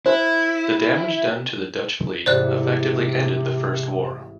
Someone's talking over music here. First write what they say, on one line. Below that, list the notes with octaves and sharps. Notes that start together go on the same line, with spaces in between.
The damage done to the Dutch fleet effectively ended the first war.
E4 C5
A1 G#2 C3 C5 D5 F#6